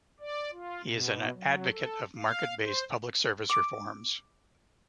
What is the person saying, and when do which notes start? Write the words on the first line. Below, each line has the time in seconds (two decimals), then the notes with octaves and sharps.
He is an advocate of market-based public service reforms.
0.20 D5
0.52 F4
0.85 B2
1.32 F#3
1.70 A4
2.17 F5
2.61 C5
3.49 D6